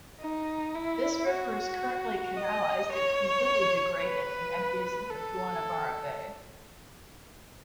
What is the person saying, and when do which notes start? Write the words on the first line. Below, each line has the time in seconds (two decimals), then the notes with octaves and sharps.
This river is currently canalized and completely degraded, and empties into Guanabara Bay.
0.21 D#4
0.75 E4
1.29 F#4
2.37 D#5
2.92 C#5
4.00 B4
5.09 A4